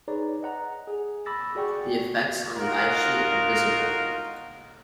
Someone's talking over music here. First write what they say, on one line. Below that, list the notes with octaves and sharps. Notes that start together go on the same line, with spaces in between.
The effects on the ice sheet are visible.
D#4 G#4 B4 C#5 D5 A#5
D#5 F#5 A#5
G#4
B5 D6 E6 A6 A#6
F#4 G#4 D5 F#5 G5 C#6
D#4 F4 F#4 A#4